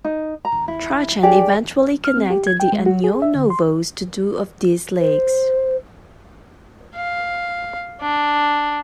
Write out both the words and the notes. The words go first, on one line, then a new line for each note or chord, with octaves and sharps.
Trajan eventually connected the Anio Novus to two of these lakes.
D#4
A#5
E4
D4 G4 G#4 D5
F6
C4
G4
G#6
G5
G#3
F#4
G#4
E5
D3
C6
C5
F5
D4